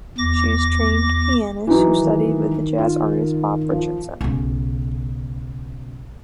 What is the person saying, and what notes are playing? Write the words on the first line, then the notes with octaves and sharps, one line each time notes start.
She is a trained pianist who studied with the jazz artist, Bob Richardson.
E2 D6 A#6
E3 F#3 D#4
D#3
F4
F3
B1 C#3